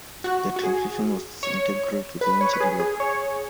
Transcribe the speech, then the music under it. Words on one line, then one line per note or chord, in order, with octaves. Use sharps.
The transmission was integral to the engine block.
F#4
F#4
G#4
C#5
B4
C#5
B4
G#4
G#4
C#5